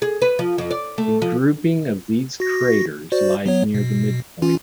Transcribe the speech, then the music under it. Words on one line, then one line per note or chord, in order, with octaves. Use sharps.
A grouping of these craters lies near the midpoint.
G#4
B4
F3
F2
D5
A3
F3
F#4 A#6
F#4 C5 D5
F#3 B3 C#5
B2
E3 C#4 F4